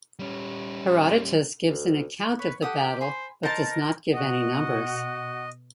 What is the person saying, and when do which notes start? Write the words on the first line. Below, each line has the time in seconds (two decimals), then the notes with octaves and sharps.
Herodotus gives an account of the battle but does not give any numbers.
0.19 G3 C#4
1.70 D2
2.39 B4 C#5
2.62 G4 A4 F#5 D#6
3.01 C5 G#5 B5 C6
3.43 D#4 A#4 C5 A5 C6
3.70 A#4
4.13 B2 F#4 D#5 F#5